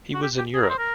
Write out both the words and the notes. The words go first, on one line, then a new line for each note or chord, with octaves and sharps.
He was in Europe.
F#4
G4
G4
G#4
A#4
C5
A#4